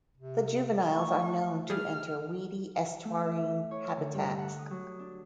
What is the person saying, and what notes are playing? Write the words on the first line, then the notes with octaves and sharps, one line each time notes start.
The juveniles are known to enter weedy estuarine habitats.
C3
A3 C#6
G3 G#4 F6
A3
E5
C#5
D3
G2
F#5
D#6
F#3
D4